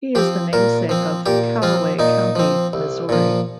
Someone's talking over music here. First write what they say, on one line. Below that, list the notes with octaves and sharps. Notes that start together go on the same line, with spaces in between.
He is the namesake of Callaway County, Missouri.
F3 C4 G4
A#2 A#4
F3 C4
A#2 G4
F3 C4 F4
A#2 D#4
F3 C4
C2
A#2 F3